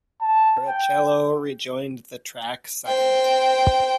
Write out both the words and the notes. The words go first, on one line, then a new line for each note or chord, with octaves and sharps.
Barrichello rejoined the track second.
A5
G5
C5 G5